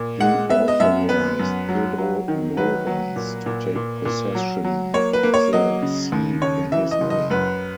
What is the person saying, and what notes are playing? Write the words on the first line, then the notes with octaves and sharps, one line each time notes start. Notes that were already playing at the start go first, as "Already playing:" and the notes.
He authorized Pedro Llorens to take possession of the see in his name.
Already playing: A#2
G#3 F#5
B3 E5
D#5
F#2 E5
B3 B4
F#2
F#3
F#3
D#3
F#3 B4
F#3
A#2
A#2
A#2
A#2
F#3
F#3
A#3 C#5
B4
A#3
C#5
F#3 D#5
C#3
D#2
C#3 C#5
E3 E5
D#5
F#1
D#5
F#2 B4